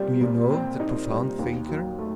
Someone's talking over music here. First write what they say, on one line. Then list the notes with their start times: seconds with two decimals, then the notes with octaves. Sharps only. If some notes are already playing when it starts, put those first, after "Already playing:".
Do you know that profound thinker?
Already playing: A#2 G3 C4
0.21 A#2
0.51 C4
0.80 D#4
1.09 G3
1.39 D#2
1.69 F#3
1.99 A3